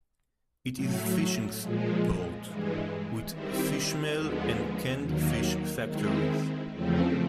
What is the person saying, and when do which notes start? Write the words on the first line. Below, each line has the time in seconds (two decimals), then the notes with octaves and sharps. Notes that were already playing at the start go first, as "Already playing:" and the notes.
It is a fishing port, with fishmeal and canned fish factories.
0.74 A2 F#3 A3
1.59 A#2 F3 G#3
2.44 G2 E3 G#3
3.29 D#3 G3 C4 E4
4.14 D#2 D3 F3 G#3 B3
5.00 D#2 D#3 F#3 A#3
5.85 D#3 G#3 C4 E4
6.71 E2 C#3 F3 A3 C4